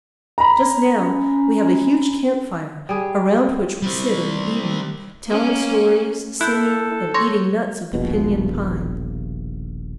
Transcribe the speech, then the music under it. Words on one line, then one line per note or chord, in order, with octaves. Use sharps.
Just now we have a huge camp fire around which we sit in the evening, telling stories, singing, and eating nuts of the pinon pine.
A#5 B5
C#4
G3 G#4
G3 C4
A#3 C#4
E4 A4 F#6 G6
C#5 C6 A#6
D#1 A#1 B2